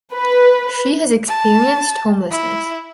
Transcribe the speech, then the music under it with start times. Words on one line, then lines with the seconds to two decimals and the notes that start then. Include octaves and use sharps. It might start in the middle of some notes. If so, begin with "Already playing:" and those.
She has experienced homelessness.
0.14 B4
1.28 A5
2.31 E4